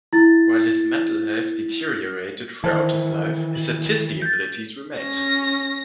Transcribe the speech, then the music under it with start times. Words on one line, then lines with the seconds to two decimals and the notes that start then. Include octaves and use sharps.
While his mental health deteriorated throughout his life, his artistic abilities remained.
0.13 E4 A6
2.64 D#3 E3 C5 A5
3.55 F#7
4.22 G6 A6
4.98 C#4 A#6